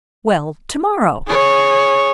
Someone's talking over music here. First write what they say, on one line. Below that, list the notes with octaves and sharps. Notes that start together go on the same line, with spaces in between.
"Well, to-morrow."
G#4 C#5